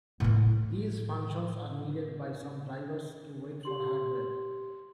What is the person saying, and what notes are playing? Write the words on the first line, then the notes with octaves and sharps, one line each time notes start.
These functions are needed by some drivers to wait for hardware.
A2 E4
G4 C6 F#7